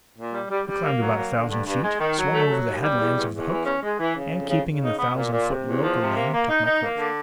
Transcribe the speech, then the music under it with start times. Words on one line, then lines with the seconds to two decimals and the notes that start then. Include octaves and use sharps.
I climbed about a thousand feet, swung over the headlands of the Hook, and, keeping in the thousand-foot local lane, took my course.
0.16 A#2
0.33 G3
0.49 G3
0.66 G3
0.82 A#3
0.99 F#3
1.15 A#3
1.32 D3
1.49 G2
1.66 G2
1.82 G#3
1.99 D#3
2.16 F#3
2.33 A3
2.49 F#3
2.65 D#2
2.82 G3
2.99 E2
3.16 E2
3.32 E2
3.49 E3
3.66 C#4
3.82 G#3
3.99 E3
4.15 C#3
4.33 F2
4.49 C#3
4.65 C#3
4.83 D#4
4.98 B3
5.15 A#2
5.32 A#2
5.49 C3
5.66 E2
5.82 F3
5.99 C3
6.16 A#3
6.32 A#3
6.49 D#4
6.65 D#4
6.82 A#3
6.98 D3